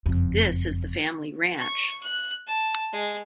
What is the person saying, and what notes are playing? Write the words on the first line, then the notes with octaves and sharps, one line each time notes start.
This is the family ranch.
F#1 F2
C#6
F#6
A5
G#3